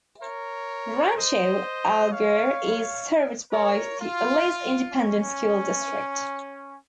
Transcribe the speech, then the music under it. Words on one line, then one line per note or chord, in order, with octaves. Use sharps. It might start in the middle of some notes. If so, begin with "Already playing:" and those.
Rancho Alegre is served by the Alice Independent School District.
A#4 C#5
C5 D#5
C#5 F5
A#4 C#5
F4
C#4